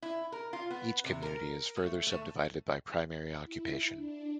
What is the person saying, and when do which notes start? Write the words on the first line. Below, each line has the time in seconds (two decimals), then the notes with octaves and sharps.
Each community is further subdivided by primary occupation.
0.02 E4
0.32 A#4
0.53 F4
0.70 B3
1.04 C3
1.22 A#4
1.77 A3
2.07 A3
3.43 E4
3.94 D4